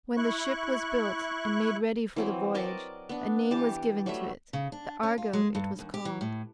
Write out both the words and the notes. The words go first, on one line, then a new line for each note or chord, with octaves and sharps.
When the ship was built and made ready for the voyage a name was given to it--the Argo it was called.
E4 C#6 F#6
E3 F#3 C4
A#4 D5 D#5 A5
B3 D4
E3 G4 A5
F#3 G3 A3 E5
C#3
D4
C#4
F4
G#3
G2
D#2
G4
E3
A2